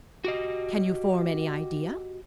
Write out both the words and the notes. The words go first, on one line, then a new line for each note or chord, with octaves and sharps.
Can you form any idea?
F#4 G4 D#5